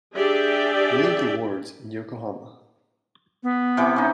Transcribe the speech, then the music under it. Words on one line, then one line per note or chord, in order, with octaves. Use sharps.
League awards in Yokohama.
D4 G4 G#4 D5 E5 G5
B3
C3 E3 D6
C#4 D#4